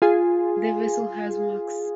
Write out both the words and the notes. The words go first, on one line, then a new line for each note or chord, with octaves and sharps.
The vessel has max.
F4 G#4